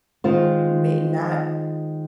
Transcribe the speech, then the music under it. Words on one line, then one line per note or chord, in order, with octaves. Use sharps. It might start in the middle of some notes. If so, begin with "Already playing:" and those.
ma not
D#3 G#3 F4 C5